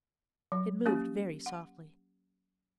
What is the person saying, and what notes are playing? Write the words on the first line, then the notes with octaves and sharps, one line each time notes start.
It moved very softly.
F#3
A#3 C#4 G4
F#5